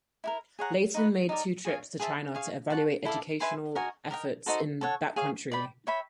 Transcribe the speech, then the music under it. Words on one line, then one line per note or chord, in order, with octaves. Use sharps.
Layton made two trips to China to evaluate educational efforts in that country.
E4 G4 A#4
G#4 C#5 F#5 A#5
D#4 F#4 B4
D#4 G4 A#4 D5
G#4 C#5 F5
G#4 C5 E5 A5
G#4 C#5 F5
D5 F#5 A5 C#6
E4 A4 D5 F5
B4 E5 G#5 C6
F#4 A#4 D#5 G#5
A#4 D#5 G5
D#4 F#4 A4 C5
A4 C#5 F#5
G#4 C#5 F5
D5 G5 B5
C#5 E5 G5 B5